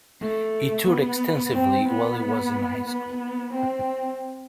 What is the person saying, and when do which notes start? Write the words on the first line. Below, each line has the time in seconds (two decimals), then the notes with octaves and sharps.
He toured extensively while he was in high school.
0.21 A3
0.87 B3
1.53 C4
1.88 B3
2.88 B3
3.53 C4